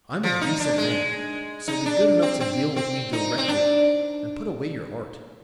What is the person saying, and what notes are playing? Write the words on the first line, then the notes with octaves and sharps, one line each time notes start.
I'm a decent man, so be good enough to deal with me directly and put away your art.
F3
D#4
D4
G#3
D#4
D4
C4
C4
C4
D#4
C4
D4